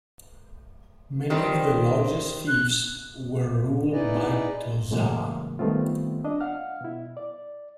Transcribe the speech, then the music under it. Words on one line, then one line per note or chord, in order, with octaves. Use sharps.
Many of the largest fiefs were ruled by "tozama".
D#3 G3 C4
F#6
D#4 E4 G#4 B4 D5 D#5
A2 C#3 E3 F#3 G#3 A#3
D#3 G3 A3 B3 C4 F4
D4 D#5
F5 F#5 F6
B2 E4
D5